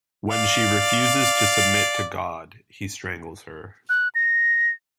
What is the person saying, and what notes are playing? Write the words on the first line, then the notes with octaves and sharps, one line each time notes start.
When she refuses to submit to God, he strangles her.
D5 F5
F#6
A#6